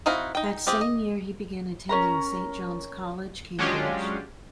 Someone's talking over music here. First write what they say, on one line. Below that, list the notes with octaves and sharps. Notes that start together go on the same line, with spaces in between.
That same year he began attending Saint John's College, Cambridge.
C4 D#4 E4 F#4 F5
D#4 G5
C4 F4 G4 G#4
D#5
C#4 A#4 A#5
F#3 G#3 C#4 D4 F4 G4